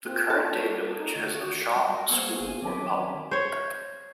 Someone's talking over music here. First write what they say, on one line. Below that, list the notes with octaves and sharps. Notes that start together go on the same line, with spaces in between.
The current-day village has no shop, school, or pub.
A#3 C4 F4
D#4 A4 A5
G3 C#5
D#4
D3 D#3 A3
F#4 A#4
G3
G3 F#4 A#4
A#3 B3 G#4 C5 F#5 C#6
G1 F5 G#5
D#3 F#3 C4 C#4 B4 D6
C5 C#5